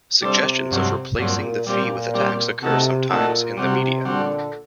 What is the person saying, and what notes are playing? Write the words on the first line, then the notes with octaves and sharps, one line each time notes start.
Suggestions of replacing the fee with a tax occur sometimes in the media.
C3 G3 D4 A4 C5
G2 F#3 C4
G2 A#2 F#3 C4
A#2 G3 C4 G4
G3 C4 G4
C3 A3 D#4 F#4 A4
A#2 A3 D#4 F#4 A4
C3 G3 C4 F#4
A#2 D3 G3 C4 F#4